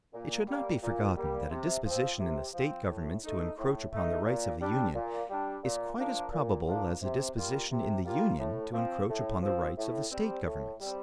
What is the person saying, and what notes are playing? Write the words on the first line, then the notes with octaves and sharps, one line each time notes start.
It should not be forgotten that a disposition in the State governments to encroach upon the rights of the Union is quite as probable as a disposition in the Union to encroach upon the rights of the State governments.
A#2
G3 A#3
A#2
G3 A#3
C3
F3 C4
C3
F3 C4
A2
A3 D#4
A2
A3 D#4
A#2
G3 D4
A#2
G3 D4
A#2
F3 A#3 D4
A#2
F3 A#3 D4
C3
G3 A#3 F4
C3
G3 A#3 F4
A2
F3 C4
A2
F3 C4
A2
G3 C4
A2
G3 C4